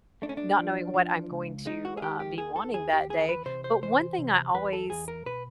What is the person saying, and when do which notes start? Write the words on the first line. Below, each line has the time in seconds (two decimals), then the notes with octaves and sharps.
not knowing what I'm going to, uh, be wanting that day. But one thing I always
0.22 A3 D4
0.29 C#4
0.37 D4
0.59 F3
0.94 F3
1.31 C#2
1.66 G#3 D#4
1.85 F#4
1.97 G#4
2.02 D#3 G4
2.20 G4
2.38 D#2 G#4
2.56 A4
2.74 D#2 G#4
2.93 G4
3.10 E3 G#4
3.29 B4
3.46 C3 C5
3.64 C5
3.82 E3 C5
4.18 C3
4.54 E2 B4
4.73 A4
4.90 E2 G#4
5.08 A#4
5.26 B2 B4